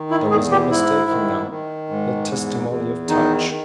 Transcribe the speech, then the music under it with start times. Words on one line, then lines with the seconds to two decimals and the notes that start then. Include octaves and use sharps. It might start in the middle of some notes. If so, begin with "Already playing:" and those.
There was no mistaking now the testimony of touch.
Already playing: D#3
0.10 E4
0.30 E2 G#4
0.51 G4
0.71 G#2 E4
1.10 D#3
1.51 D#3
1.89 G#2
2.30 E2
2.69 E2
3.09 D#3 D#4
3.49 D#3